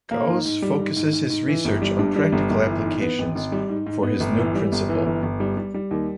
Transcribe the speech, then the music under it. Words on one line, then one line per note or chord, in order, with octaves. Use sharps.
Gause focuses his research on practical applications for his new principle.
A#3
G#2
G#2
G3
G#2
G#2
G#2
G#2
E3
G1
G3
G2
G3
G1
G1
E3
G#2
B3
G#1
G#1
G3
G#2
G#2
B3
G1
E3
G3
G1
E3
G1
G1
G3
G3
G3
D#2